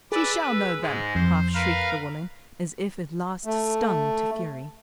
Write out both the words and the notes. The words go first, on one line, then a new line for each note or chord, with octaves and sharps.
"She shall know them!" half shrieked the woman, as if at last stung to fury.
G#4 B4 D5 E6
B4
G#2 G#3
F2 C5
A#4 B4 F5
A3